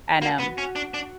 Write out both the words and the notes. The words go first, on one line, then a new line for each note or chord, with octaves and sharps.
and, um
A#3 F#4
B3
C#4
D4
D4